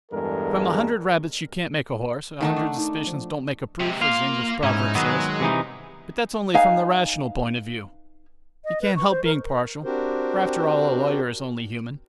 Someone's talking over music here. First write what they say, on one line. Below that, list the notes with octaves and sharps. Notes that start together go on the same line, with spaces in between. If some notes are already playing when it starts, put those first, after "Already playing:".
From a hundred rabbits you can't make a horse, a hundred suspicions don't make a proof, as the English proverb says, but that's only from the rational point of view--you can't help being partial, for after all a lawyer is only human.
E2 G2 G#3 A4 A#4
D#3 A3 D#4 F#5
D4
D#4
F3
G#2 C3
A#3 F4 F5
G#2 C#4 D#4 E4
D#3 F#3 G#3 B3
C3 E3 D#4
D#4 B4 F5 G#5
D#5
B4
C#6
C5
A#4
C4 D4 F#4 G4 A#4 C5